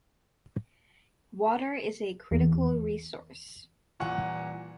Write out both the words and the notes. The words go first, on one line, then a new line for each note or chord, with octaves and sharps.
Water is a critical resource.
E2
D#1 A#2 E3 F#5 C#6